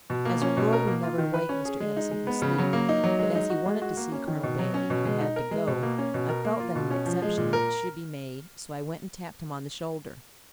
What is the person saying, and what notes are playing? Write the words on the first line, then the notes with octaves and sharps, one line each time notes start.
As a rule we never wake Mr. Edison from sleep, but as he wanted to see Colonel Bailey, who had to go, I felt that an exception should be made, so I went and tapped him on the shoulder.
B2
A#3
C#4
B2
A#4
A#3
F4
D#3
B4
C#4
G#4
G#3
D#4
G#3
B3
C#3
F#3
A#3
D#4
F#3
G#3
D#4
F#4
G#3
F#4
A#3
C#4
D#3
B2
F#3
C#4
B2
G#3
D#4
A#4
G#3
B2
A#3
C#4
B2
A#4
A#3
F4
B2
C#4
F3
G#3
A#2
A#4